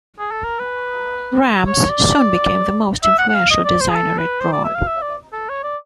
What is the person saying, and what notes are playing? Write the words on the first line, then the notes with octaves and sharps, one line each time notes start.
Rams soon became the most influential designer at Braun.
G#4
A4
A#4
B4
C#5
D5
E5
F#5
F#5
F5
D#5
D5
C5
G#4
A4
B4
C5
D5
E5
F5
E5
D5
A4
C#5
D5